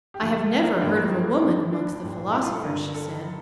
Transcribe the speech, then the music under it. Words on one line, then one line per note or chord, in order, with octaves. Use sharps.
"I have never heard of a woman amongst the philosophers," she said.
G4
D2 D3 F3 F4
A4
A#4
D4
A1 G2 F3 A#3
A#3
D2 D3 F3
D4
A#1 A#2 G3
E4
F4
A4
G1 G2 D3 G3 A#4
A4